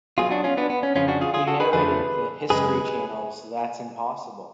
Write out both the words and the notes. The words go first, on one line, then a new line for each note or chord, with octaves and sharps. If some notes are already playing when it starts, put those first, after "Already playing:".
He narrated the History Channel's "That's Impossible".
B1 B2 F#3 F4 G#4
D4 F#4
C#4 F4
B3 D4
B3
C#4
F2 C#3 F3 C#4 F4
D4 F#4
F4 G#4
F4 G#4
F#4 A4
G#4 B4
F2 D3 F3 A3 G#4 B4
F#2 C#3 G#3 G#4 B4